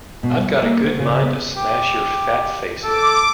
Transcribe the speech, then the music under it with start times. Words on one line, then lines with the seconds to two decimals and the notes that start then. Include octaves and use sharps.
I've got a good mind to smash your fat face in!
0.23 B2
0.37 G3
0.62 A#3
0.84 D2
0.99 C#3
1.23 B3
1.57 G4
2.83 A4 D6